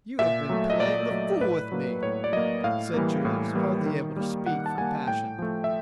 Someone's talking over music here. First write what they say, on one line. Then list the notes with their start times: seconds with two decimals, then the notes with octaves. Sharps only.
"You have been playing the fool with me," said Julius, hardly able to speak for passion.
0.19 A#2 E5
0.50 F#3 A3
0.70 D#5
0.80 A#2 D5
1.11 F#3 A3
1.41 A2 B4
1.72 F#3 A#3
2.03 A2 C#5
2.24 D5
2.32 F#3 A#3 D#5
2.64 A2 F5
2.94 E3 G3 A#3
3.25 A2
3.55 E3 G3 A#3
3.86 D#3
4.16 G3 A#3
4.46 D#3 F#5
4.66 A5
4.77 G3 A#3 G#5
5.08 A2 G5
5.39 F3 A3
5.64 E5